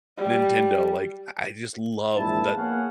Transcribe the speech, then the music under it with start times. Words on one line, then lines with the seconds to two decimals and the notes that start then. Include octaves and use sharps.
Nintendo, like, I I just love tha
0.17 G3
2.17 A#1 G#2 E4 A5
2.56 A#3 B3 G#4 C#5 F5 F#5